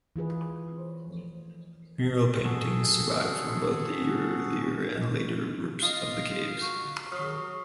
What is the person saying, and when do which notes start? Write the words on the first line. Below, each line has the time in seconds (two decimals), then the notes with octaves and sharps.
Mural paintings survive from both the earlier and later groups of the caves.
0.16 E3 F4 G#4 B4
2.43 F#4 G#4 A4
5.83 F4 D#5 F5
6.62 F#4
7.12 F#3 C#6 D#6 F6 C7